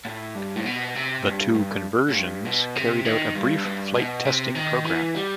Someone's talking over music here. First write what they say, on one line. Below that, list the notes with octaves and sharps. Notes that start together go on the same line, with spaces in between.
The two conversions carried out a brief flight testing programme.
A2
G2
A2
B2
C3
G2
G2
A2
G2
B2
C3
D#3
G2
G2
B2
C3
D#3
E3
G3